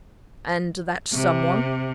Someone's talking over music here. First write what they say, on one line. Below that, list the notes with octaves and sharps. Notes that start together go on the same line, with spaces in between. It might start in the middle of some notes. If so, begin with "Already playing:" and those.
"And that someone?"
C3